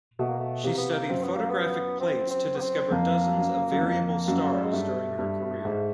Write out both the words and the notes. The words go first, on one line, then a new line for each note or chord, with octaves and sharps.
She studied photographic plates to discover dozens of variable stars during her career.
B2 A3
A#3
A3
C3 A#3
B3
A#3
F#2 C4
B3
A#3
B3
C4
C4
B3
C4
F2 A#3
F#2
F#2
F2
F#2
G3
G#3
G2 A3
G2
G#2